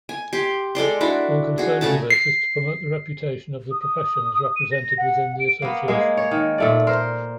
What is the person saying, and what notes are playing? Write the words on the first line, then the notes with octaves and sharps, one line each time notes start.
One concern for this is to promote the reputation of the professions represented within the association.
G#5
G4 C6
G#3 A4 D5 C6
D4 E4 F#4
F#4 G#4
C#3 A3 G#4 A5
C7
D#6
D#7
A#6
F#5
D7
A#3 B3
G#3 A#3 G#4
C#5
D#3
A#2 A3 D5
A#4 C5